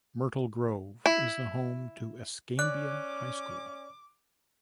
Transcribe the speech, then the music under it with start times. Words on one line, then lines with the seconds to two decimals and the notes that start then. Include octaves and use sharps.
Myrtle Grove is the home to Escambia High School.
1.06 E4
2.59 C#4 D5 D6 F#6